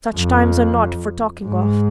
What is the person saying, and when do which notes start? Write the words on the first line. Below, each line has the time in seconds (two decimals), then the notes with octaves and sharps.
Such times are not for talking of.
0.16 F2
1.45 G#2